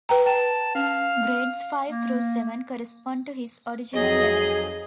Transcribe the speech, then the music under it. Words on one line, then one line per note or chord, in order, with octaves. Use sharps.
Grades five through seven correspond to his original levels.
B4 G5 A#5
G5 A5
C#4 F5
A#3
F2 F#3 D#4 G#4 D#5